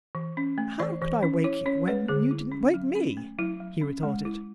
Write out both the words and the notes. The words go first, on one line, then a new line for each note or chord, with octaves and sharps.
"How could I wake you, when you didn't wake me?" he retorted.
E3
C#4
A3
E3 D5
E3
C#4
E4 C#5
C#4 C#5
G#3 B4
D3 G#4
E4
C#4
F#3
C#4
A3
F#3 E4
F#3
C#4
G#3
E4